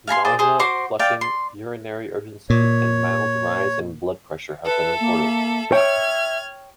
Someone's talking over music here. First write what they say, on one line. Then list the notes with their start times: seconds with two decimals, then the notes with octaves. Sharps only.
Nausea, flushing, urinary urgency, and mild rise in blood pressure have been reported.
0.07 F5 G#5 A#5 C6
0.25 G#4 C5 D5
0.39 G#4 C5
0.59 F#4 C5 C6 D6
0.99 D5 F5 G5
1.21 C6
2.50 A#2 C#5
4.65 A4 B4 E5
5.00 A#3
5.72 C#5 E5 G5 F6 G#6